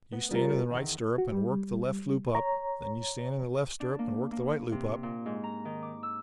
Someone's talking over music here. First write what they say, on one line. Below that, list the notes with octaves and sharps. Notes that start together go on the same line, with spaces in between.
You stand in the right stirrup and work the left loop up, then you stand in the left stirrup and work the right loop up.
B3
G3 F4 G4 A#4
E2 D#3
F#4
G3
C#5 A#5
D4
A#3
A#3
C3
A#2
G#2
A#5
D#3
D6
E6